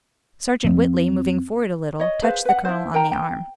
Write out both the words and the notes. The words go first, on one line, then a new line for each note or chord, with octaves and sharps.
Sergeant Whitley, moving forward a little, touched the colonel on the arm.
F2 C4
C#5 D#5
G#4 B4 C5 F5
B4 F#5
E4 C5
A#4 G5 A#5
G5